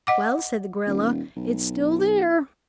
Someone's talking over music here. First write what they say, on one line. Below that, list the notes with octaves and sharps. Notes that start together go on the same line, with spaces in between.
"Well," said the gorilla, "it's still there!"
D#5 F#5 D6
D#1
B1